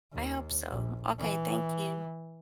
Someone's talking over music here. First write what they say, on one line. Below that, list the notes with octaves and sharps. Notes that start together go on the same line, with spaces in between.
I hope so. Okay, thank you.
D#2
A#1
E3